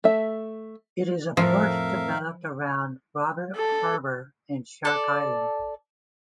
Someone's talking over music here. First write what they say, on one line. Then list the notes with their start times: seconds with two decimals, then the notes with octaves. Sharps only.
It is a port developed around Robert Harbour and Shark Island.
0.04 A3 E5
1.37 F2 A2 F3 C4 A#4 E5 F5
3.56 A4
4.85 A4 D5